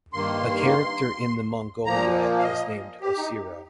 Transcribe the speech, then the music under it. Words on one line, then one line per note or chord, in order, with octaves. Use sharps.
A character in The Mongoliad is named Ocyrhoe.
G2 D#3 A#3 C6
A#2 F3 A#3 A#5
F5
D#5
G4
D#4